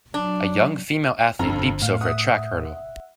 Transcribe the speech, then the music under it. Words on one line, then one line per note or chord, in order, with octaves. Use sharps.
A young female athlete leaps over a track hurdle.
F#3 D4
G1 F2 D3 A#5
A2 F5
E5 F#5 D#6